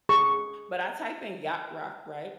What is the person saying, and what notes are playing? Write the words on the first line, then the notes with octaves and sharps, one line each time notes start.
but I type in Yacht Rock, right?
G#4 C#6